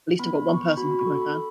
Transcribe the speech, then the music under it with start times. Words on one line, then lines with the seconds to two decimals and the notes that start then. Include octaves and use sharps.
At least I've got one person who will be my fan.
0.19 B3 B5
0.49 B3 C#6
0.77 F#4 B5
0.91 B5
0.99 C#6
1.07 A4
1.22 B5